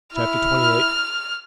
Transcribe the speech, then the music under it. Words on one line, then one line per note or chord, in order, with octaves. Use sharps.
Chapter XXVIII.
E4 F6